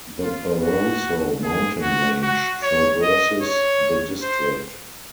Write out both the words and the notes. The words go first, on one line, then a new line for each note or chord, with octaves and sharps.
The Barroso mountain range traverses the district.
F4
F#4
G#4
F#4
F#4
C#5
D#5
C#5
C5